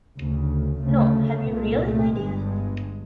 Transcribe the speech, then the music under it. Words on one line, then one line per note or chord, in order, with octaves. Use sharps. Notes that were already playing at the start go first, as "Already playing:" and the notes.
No; have you really, my dear?
D2 C#3
D2 C#3 A3
C2 A#2
A3
G1 G2 G#3
G#3